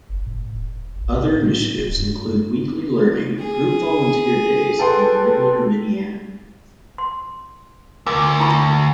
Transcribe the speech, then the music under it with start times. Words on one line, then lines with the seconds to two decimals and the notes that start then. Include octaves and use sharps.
Other initiatives include weekly learning, group volunteer days, and regular minyanim.
0.09 F#1
0.27 A2
0.53 E1
1.01 A#1
1.14 A2
1.78 D1
1.97 G2
3.38 G#4
4.79 A4 B4 G5 C6
6.98 C6
8.07 D2 A#4 D6
8.40 E4 B5 C#6